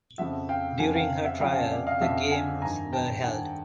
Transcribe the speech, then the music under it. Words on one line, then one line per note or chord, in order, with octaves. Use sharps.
During her trial, the Games were held.
F2 C#3 F3 E5 F#5
F5 G5
F2 C#3 F3 F#5 G#5
F5 G5
E5 F#5
F2 C#3 F3 F5 G5
F#5 G#5
D5 E5
D#5 F5
F2 C#3 F3 E5 F#5
F#5 G#5
G2 D#3 G#5 A#5
G5 A5
G2 D#3 F#5 G#5